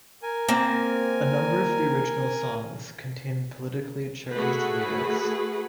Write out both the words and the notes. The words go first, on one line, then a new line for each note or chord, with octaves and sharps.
A number of the original songs contain politically charged lyrics.
A#4 G#5
A#3 C4
A3 F#4 G#4 B4